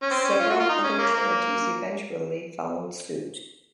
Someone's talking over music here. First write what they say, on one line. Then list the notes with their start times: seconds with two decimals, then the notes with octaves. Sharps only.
Several other charities eventually followed suit.
0.02 C#4
0.11 C4
0.24 C#4
0.40 F4
0.50 F#4
0.60 F4
0.69 D#4
0.84 C#4
0.98 A#3
1.14 A#3